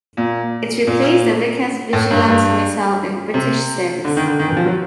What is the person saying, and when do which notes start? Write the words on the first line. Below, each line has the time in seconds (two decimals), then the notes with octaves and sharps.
It replaced the Vickers Vigilant missile in British service.
0.17 A#2
0.87 A#2
1.93 A2
2.11 G2
2.28 G2
3.34 C3
4.05 D3
4.17 D#3
4.27 D3
4.39 D#3
4.48 E3
4.57 F3
4.66 F#3